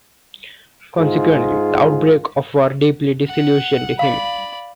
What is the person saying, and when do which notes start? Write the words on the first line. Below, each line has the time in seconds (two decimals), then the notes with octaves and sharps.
Consequently, the outbreak of war deeply disillusioned him.
0.98 G#2 F4 G#4
3.26 F#5
3.99 D5 F5 B5